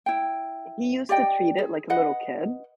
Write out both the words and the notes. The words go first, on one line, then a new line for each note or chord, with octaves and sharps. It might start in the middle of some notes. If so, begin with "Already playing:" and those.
He used to treat it like a little kid.
E4 G5
G4 D5 D#5 G5
G#4
B4 D#5 F#5